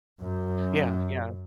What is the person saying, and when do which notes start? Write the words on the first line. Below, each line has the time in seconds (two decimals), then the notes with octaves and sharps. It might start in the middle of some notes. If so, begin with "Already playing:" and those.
Yeah, yeah.
0.22 F#2